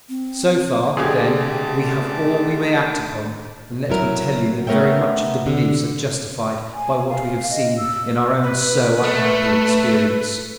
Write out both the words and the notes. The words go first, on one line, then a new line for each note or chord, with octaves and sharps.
So far, then, we have all we may act upon; and let me tell you that very much of the beliefs are justified by what we have seen in our own so unhappy experience.
C4
B2 D3 A3 G4 G#4 A5 D6 G#6
F#3 E4 A#4
A3 B3 A#4 C#5 E5 G5
D3
G#5
F5
D#5
E6
B4
A3